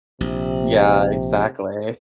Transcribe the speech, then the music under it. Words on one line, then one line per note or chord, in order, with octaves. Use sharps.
Yeah, exactly.
A#1 C3